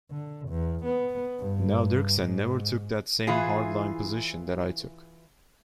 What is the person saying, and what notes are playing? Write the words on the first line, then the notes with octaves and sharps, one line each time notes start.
Now, Dirksen never took that same hard-line position that I took.
D3
E2
B3
G2
G#2
E3 E4 F4 G#4